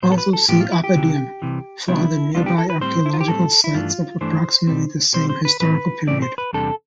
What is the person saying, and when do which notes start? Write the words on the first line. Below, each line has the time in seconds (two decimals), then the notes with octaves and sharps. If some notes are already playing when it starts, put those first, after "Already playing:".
Also see Oppidium for other nearby archaeological sites of approximately the same historical period.
0.02 A2 F3 B3 C5
0.12 A4
0.18 B4
0.33 A4
0.49 A2 F3 B3 G4
0.61 F4
0.72 E4
0.84 G4
0.95 C2 C3 E3
1.42 C2 C3 E3
1.88 C2 C3 G3 B3 D4 E4
2.35 C2 C3 G3 B3 D4 F4
2.46 G4
2.58 A4
2.70 B4
2.81 A2 G3 C4 C5
3.06 E4
3.13 F4
3.21 G4
3.28 A2 G3 C4 A4
3.64 E4
3.74 G2 E3 A3 D4 F4
4.21 G2 E3 A3 D4 C5
4.67 B2 G3 C4
5.14 B2 G3 C4 C5
5.29 C5
5.45 B4
5.60 A2 E3 A3 C4 B4
6.07 A2 E3 A3 C4 D5
6.22 C5
6.38 B4
6.53 E2 C3 G3 D4 A4